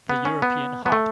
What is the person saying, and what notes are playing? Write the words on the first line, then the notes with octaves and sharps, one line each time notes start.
The European Hop!
B3
C#4
B3
B3
A3